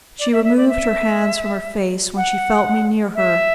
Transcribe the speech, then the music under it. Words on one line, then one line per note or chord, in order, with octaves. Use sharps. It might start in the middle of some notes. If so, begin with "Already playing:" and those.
She removed her hands from her face when she felt me near her.
D5
E5
E5
D5
E5
F#5
E5